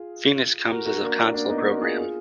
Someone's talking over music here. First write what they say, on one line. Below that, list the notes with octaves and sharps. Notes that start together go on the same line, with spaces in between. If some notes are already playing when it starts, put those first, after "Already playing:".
Fenix comes as a console program.
Already playing: F4 G#4
F#4 A#4
F#4 A#4
A#3 D4
A#3 D4
A#3 D4
B3 D#4
F#4 A#4
F4 G#4
F4 G#4